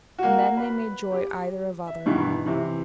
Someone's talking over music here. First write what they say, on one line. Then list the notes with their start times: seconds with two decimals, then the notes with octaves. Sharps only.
And then they made joy either of other.
0.18 A#3 F#4
0.57 B4
1.12 G4
1.87 E5
2.06 G2 B2 D#3 E3
2.46 C3 E3